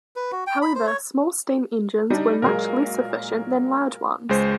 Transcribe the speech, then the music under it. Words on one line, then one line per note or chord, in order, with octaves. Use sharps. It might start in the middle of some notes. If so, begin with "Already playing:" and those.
However, small steam engines were much less efficient than large ones.
B4
F#4
G5
B5
C5
C#5
G3 D4 D#4
A#2 F#3 G#3 A#4
C#2 G#3 C5